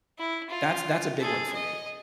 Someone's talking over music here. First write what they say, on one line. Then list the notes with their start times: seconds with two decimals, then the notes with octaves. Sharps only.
That's that's a big one for me.
0.18 E4
0.50 F4
1.19 G#4 A4
1.53 D#5